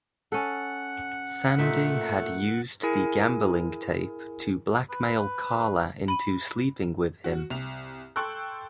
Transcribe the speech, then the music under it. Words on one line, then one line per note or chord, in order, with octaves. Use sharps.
Sandy had used the gambling tape to blackmail Carla into sleeping with him.
C#4 A4 F#5
A#2 A3 D#4 E5
E4 G#4 A#4 G#5
B4
B5 D#7
F#4
C2 F7
A4 G5 C6 C#6 E6 F#6